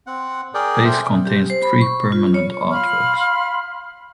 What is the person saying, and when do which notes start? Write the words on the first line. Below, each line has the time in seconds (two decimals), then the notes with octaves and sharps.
The space contains three permanent artworks.
0.07 C4 F#5
0.54 G#4 A#4 D5 G5
0.85 A4 C5 E5 G5
1.25 G4
1.50 C5
1.63 B5
1.81 C#6
2.12 F4
2.34 C#5
2.72 F5 B5 C6 F6